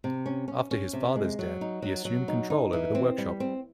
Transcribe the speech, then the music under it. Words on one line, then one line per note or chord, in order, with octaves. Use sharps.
After his father's death, he assumed control over the workshop.
C3
C#4
C#4
C#4
C3
G#3
F#3
D#4
F#3
F#3
D#4
D#4
E3
C4
G3
C4